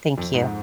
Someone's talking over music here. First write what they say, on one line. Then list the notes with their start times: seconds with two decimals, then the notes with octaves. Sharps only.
Thank you.
0.18 F2
0.34 G#2